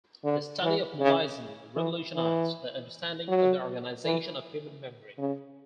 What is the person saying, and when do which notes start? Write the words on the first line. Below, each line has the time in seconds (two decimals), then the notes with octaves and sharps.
The study of Molaison revolutionized the understanding of the organization of human memory.
0.24 D3
0.62 E3
1.01 C#3
1.76 E3
2.15 E3
3.28 F#3
4.04 E3
5.18 C#3